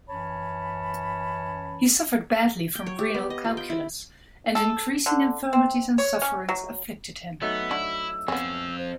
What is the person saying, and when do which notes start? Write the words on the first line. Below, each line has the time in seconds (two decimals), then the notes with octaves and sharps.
He suffered badly from renal calculus, and increasing infirmities and sufferings afflicted him.
0.08 F#2 E3 C#4 C#5 A5 B5
2.75 G5
2.86 C#5
2.99 G4
3.14 B3
3.30 D#5
3.44 F4
3.57 G5
3.70 E4
4.55 A4
5.06 D3
5.53 C4
5.98 C#5
6.22 C#4
6.49 F#3
7.42 F#3 A3 B3 D#4 E6
7.71 D4 E4 F#4
8.28 F2 F3 B3 C#4
8.78 C5